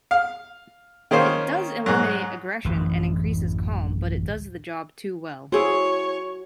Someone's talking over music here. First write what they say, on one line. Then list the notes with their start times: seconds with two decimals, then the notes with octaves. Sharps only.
It does eliminate aggression, and increases calm, but it does the job too well.
0.11 F5
1.11 D#3 A#3 C#4 F4 C5
1.86 G#2 F#3
2.65 D1 A1 F#2 E3
5.52 E4 F#4 G#4 C5 C#5